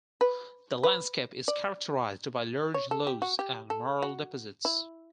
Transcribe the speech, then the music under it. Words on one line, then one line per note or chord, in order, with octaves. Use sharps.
The landscape is characterised by large Loess and Marl deposits.
B4
B4
D5
C#5
A4
G4
F#4
G4
A4
F#4
E4